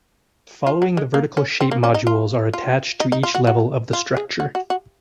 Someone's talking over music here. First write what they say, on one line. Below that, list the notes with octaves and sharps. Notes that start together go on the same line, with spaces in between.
Following the vertical shape modules are attached to each level of the structure.
F4
F#3
G#3
A#3
C#4
C4
A#3
C#4
D#4
F4
F4
D#4
D#4
F4
F#4
F#4
F4
G#4
F#4
F#4
F#4